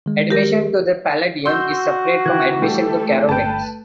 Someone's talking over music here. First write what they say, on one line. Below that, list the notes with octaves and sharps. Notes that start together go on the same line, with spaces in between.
Admission to the Paladium is separate from admission to Carowinds.
D#3 G#3
G4 A#4
F#4 C6 E6 G6
D#3 E3 G5 F#6 G#6
E3 G3 A3 A4 G5
G1 B4 G5 A5